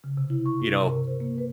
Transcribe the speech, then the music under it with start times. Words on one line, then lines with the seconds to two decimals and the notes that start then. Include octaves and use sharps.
you know
0.04 C#3
0.17 C3
0.30 E4
0.46 C#6
0.60 G2
0.75 C3
0.90 A#4
1.07 C5
1.20 A#3
1.38 B4